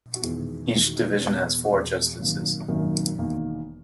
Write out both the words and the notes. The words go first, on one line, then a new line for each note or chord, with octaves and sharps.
Each division has four justices.
F#4
E2 D#3 G#3 B3 E4
E2 D#3 G#3 B3 E4
F#4
D#4
E4
E2 B2 G#3 F#4
F#4
E2 B2 G#3 G#4
G#1 F#2 D#3 A#3
G#1 F#2 D#3 A#3
E1 E2 D#3 A#3